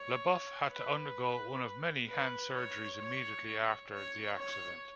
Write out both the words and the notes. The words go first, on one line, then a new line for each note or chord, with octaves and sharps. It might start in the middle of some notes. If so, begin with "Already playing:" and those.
LaBeouf had to undergo one of many hand surgeries immediately after the accident.
Already playing: C#5
B4
B4
C#5
C#5
C#5
C#5